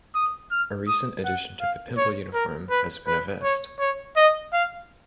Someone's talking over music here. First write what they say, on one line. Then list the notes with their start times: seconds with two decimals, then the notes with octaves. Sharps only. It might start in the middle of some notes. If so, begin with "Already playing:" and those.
A recent addition to the Pymble uniform has been a vest.
0.15 D#6
0.51 F6
0.87 D#6
1.25 F#5
1.61 F5
1.97 C#5
2.34 A#4
2.70 B4
3.07 B4
3.43 C#5
3.80 C#5
4.16 D#5
4.53 F5